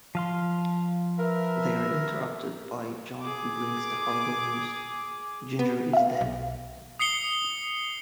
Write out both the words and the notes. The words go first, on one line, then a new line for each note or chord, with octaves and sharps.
They are interrupted by John who brings the horrible news - Ginger is dead.
F3 F5 C6
A#4 B4 E5
G#4 D6
B3
E5 F5
B1
D#6 C7 C#7 G7